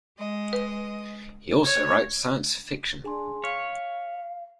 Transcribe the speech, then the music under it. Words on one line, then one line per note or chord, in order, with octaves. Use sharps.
He also writes science fiction.
G#3 D#5
B4
C#5
D4 G#4 G#5 C6
C#5 F5 F6 B6